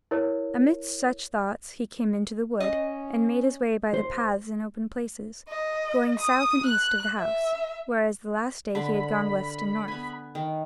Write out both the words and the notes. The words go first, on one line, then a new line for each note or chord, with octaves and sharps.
Amidst such thoughts he came into the wood, and made his way by the paths and open places, going south and east of the House: whereas the last day he had gone west and north.
E4 A#4 C#5
C#4 D#5
D#2 C5
D#5
D#6
F#6
E5
D3 B5
B3 G#5
D#3